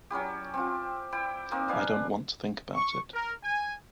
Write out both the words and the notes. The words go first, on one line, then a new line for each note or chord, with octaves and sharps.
I don't want to think about it.
F#3 C#4 E4 G4
C4 F4
E4 G5
A#3 C4 D#4
D4 B4 F5 G#5
C#6
A#4
G#5